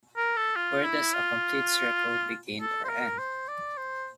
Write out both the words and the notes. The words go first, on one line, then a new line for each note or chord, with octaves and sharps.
Where does a complete circle begin or end?
A#4
A4
F4
E4
F4
A4
C5
A#4
C5
D5
C5